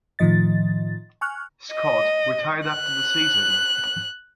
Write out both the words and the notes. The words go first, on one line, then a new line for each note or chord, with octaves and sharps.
Scott retired after the season.
A2 D#3 F3 D#5 A6
G#5 C#6 F6 F#6
D#5
F#6